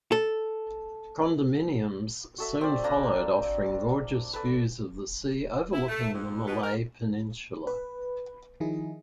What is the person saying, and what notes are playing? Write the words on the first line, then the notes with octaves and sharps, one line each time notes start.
Condominiums soon followed, offering gorgeous views of the sea overlooking the Malay Peninsula.
A4
F#4 A4 E5
C4 D5
A#3 D4 A#5
A4 B4
E4
A3
F2
B2
A#4
B4
D#3 F3 D#4 E4 G#4